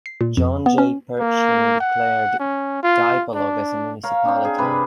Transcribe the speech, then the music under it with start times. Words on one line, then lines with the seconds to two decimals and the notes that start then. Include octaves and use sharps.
John J. Pershing declared Dipolog as a Municipality.
0.06 C7
0.21 A#2
0.37 F2
0.66 B3
0.78 C#4
1.19 A#3
1.80 F#5
2.40 C#4
2.83 F4
3.35 D4
4.03 A#4 C#5 F5
4.25 C4 D4
4.45 G#4
4.58 C3 D4 B4 B5